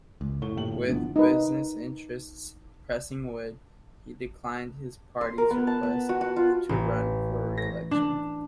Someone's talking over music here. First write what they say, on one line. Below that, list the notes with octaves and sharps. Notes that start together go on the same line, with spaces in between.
With business interests pressing Wood, he declined his party's request to run for re-election.
C#2
A1 A2 C#6 G7
A#1 G4 F#7
F1
G1 B2 E3 F3 B3 D4
D#4 B4
C6
A#4
B3
A5
B3
F#4
F#4
F4
A1
A#6
D4